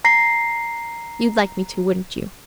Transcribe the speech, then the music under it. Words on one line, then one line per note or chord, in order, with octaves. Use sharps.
You'd like me to, wouldn't you?'
A#5 A#6 C7